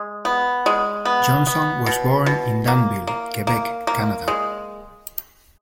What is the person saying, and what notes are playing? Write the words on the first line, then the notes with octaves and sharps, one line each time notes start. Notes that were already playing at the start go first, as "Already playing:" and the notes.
Johnson was born in Danville, Quebec, Canada.
Already playing: G#3
B3
G#3
B3
B3
B2
B2
A#3
A#3
A#3
A#3
G#3